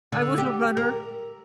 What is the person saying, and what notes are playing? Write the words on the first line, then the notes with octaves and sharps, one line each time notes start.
I was a runner.
D3
G4
A#4